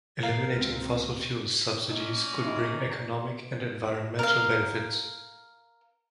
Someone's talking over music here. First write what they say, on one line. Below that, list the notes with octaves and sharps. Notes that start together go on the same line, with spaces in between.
Eliminating fossil-fuel subsidies could bring economic and environmental benefits.
A#4 B4 F5 A#5 C7
C#2 C4
C#4 D#4 D5 A#5 E6
D#4 E4
A#4 F5